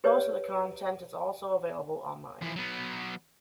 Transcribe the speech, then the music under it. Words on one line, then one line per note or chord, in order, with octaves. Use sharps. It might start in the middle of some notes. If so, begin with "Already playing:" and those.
Most of the content is also available online.
G4 B4 C#5 D5
E3 F3
F#3 B3